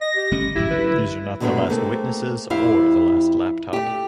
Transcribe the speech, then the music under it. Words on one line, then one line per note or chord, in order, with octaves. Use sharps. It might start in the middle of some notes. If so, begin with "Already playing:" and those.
These are not the last witnesses or the last laptop.
D#5 A#6
G4
G1 A3 C#4
A1 F#2 A2 E4 G4
D3 F#3 B4
B2 D3 F#3 G#3 A3 B3
A3 A#3 C4 G#4 A4
F2 E4 G4 E5 F5
A3 G4